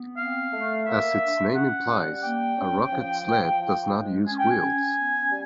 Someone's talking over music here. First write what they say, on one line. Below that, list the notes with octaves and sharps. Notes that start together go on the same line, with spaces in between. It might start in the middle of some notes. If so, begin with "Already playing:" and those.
As its name implies, a rocket sled does not use wheels.
Already playing: B3
C4 F5
A3
A#3 E5
D4
C#4 F#5
G3
A#3 G5
C#4
F3
F3
F3
G#3
C#4 G#5
G5
G#5
C#4
B3
G3